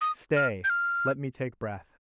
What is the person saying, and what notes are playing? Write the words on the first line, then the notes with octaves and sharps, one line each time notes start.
Stay, let me take breath ...
D#6
F6
G6
F6